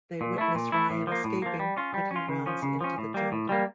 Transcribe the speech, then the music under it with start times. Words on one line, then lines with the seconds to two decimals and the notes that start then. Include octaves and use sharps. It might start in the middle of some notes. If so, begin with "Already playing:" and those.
They witness Ryan escaping, but he runs into the jungle.
0.21 A#2
0.38 A3 E4
0.55 A#2
0.72 A3 E4
0.90 A2
1.07 F3 A#3
1.24 A2
1.42 F3 A#3
1.59 G3
1.77 C#4 F4
1.94 G3
2.11 C#4 F4
2.29 C#3
2.46 F3 C#4
2.62 C#3
2.81 F3 C#4
2.98 A2
3.14 G3 A#3
3.32 A2
3.49 G3 A#3